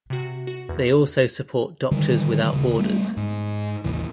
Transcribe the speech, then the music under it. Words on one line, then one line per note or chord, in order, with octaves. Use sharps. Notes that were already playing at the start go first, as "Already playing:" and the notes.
They also support Doctors Without Borders.
C3 F#4
F#4
E2
D3 D#3 G3
D#1 C#3
G3 A3 B3
G#2
A1 D#2 C3 E3